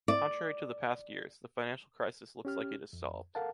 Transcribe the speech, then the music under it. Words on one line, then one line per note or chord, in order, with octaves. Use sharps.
Contrary to the past years, the financial crisis looks like it is solved.
D5
C#4 G4 F6
F2
A4 A#4 F5 F#5 A5